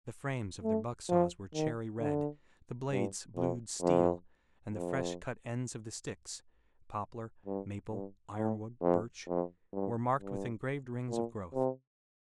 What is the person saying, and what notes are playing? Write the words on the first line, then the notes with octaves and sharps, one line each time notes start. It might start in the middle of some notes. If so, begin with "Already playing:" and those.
The frames of their buck-saws were cherry-red, the blades blued steel, and the fresh cut ends of the sticks--poplar, maple, iron-wood, birch--were marked with engraved rings of growth.
A3
F3
D#3
D3
G2
F2
F2
F2
G2
G2
A2
F2
F2
G2
G2
A#2
C3